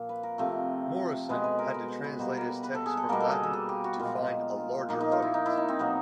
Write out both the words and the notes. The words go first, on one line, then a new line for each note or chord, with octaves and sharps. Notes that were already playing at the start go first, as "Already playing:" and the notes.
Moryson had to translate his texts from Latin to find a larger audience.
Already playing: A#2 F3 A#3
B4
A#4
C3 F3 A3
B2 G#3 B4
B4
A#4
B4
C5
B4
B2 G3 A#3 C5
A#4 B4
B4
A4
G#4
A4
B2 G3 A#3 A#4
A4
G#4
A4
G#4
G4
F#4
A#2 F3 G#3 F4
A#2 F3 A#3 D#4
D#4
F4
E4
D#4
E4
D#4
C4
B2 F#3 A#3 B3